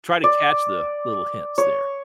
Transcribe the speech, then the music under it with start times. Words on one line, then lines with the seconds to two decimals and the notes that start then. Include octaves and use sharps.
try to catch the little hints there.
0.24 D5
1.58 C#5